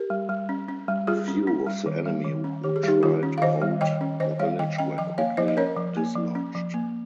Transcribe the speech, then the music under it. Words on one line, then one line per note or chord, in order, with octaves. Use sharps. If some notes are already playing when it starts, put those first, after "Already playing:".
A few of the enemy who tried to hold the village were quickly dislodged.
Already playing: G4 A#4
G3
G3
C#4
C#4
G3
G3 F4 G#4
C#4
C#4
G3
D#3
G3
D#3
C#4
D#3 G4
G#4
G3 D#4 G4
D#3 F4
C#4
F5
D#3 C5 D#5
G3
D#3 D#5 G5
C#4
D#3 C5 D#5
G3 C#5 F5
D#3 D#5 G5
C#4 D#5 G5
F3 D#5 G5
A#3 C#5 F5
F3 C5 D#5
D#5
C#4 A#4 C#5
F3
A#3
F3
C#4
F3
A#3